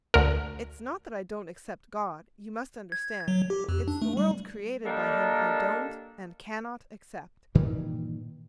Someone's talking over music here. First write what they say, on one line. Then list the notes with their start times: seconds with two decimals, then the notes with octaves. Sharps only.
It's not that I don't accept God, you must understand, it's the world created by Him I don't and cannot accept.
0.14 D2 A#4
2.92 G#6
3.28 F#3
3.50 G4
3.69 F2
3.88 D4
4.02 A3
4.17 G3
4.85 G3 A#3 D4 A4 A#4 D#5
7.55 G2 A#2 D#3 E3